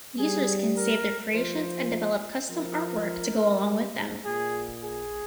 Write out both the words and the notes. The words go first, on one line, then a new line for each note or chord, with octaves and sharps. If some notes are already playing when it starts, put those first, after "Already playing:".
Users can save their creations and develop custom artwork to go along with them.
G3 G#4
A#4
F3 C5
F3 A#4
G3
G#2
A#2 G#4
G#4